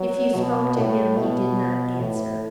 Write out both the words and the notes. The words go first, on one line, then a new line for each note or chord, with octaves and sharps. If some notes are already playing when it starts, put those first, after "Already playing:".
If you spoke to him, he did not answer.
Already playing: F#3
B2
A2
B2
A2